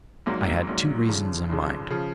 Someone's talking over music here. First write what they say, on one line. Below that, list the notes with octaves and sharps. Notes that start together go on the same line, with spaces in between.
I had two reasons in mind.
A#1 G#2 F#3 A#3
A#1 G#2 F#3 A#3
F1 D#2 C#3 F3
F1 D#2 C#3 F3
C#3 F3